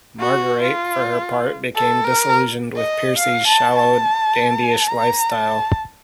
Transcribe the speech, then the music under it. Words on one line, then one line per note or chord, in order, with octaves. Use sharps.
Marguerite, for her part, became disillusioned with Percy's shallow, dandyish lifestyle.
F#4
F4
A4
A#4
D#5
F5
A5
A5
A#5
A5